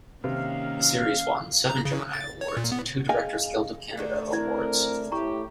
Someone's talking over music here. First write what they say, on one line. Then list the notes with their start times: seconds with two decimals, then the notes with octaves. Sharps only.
The series won seven Gemini Awards and two Directors Guild of Canada Awards.
0.24 C3 D#3 A#3 C#4 F5
1.70 A#5
1.85 C#3
2.13 A6
2.41 C#5
2.57 A#2
2.72 B3
3.09 G#4 D#5 F5 G5 G#5
3.97 D3 D#3 A3 D4
4.33 C4 E4 A#4 G#6
5.12 A2 E4 G4 A#5 C#6